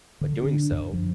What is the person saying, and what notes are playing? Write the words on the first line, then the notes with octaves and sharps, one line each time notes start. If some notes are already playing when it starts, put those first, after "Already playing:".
but doing so,
D3
D4
F#2
F3